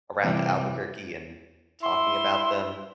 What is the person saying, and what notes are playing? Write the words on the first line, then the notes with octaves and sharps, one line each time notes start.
around Albuquerque and talking about them.
C3 E3 G3
E4 C6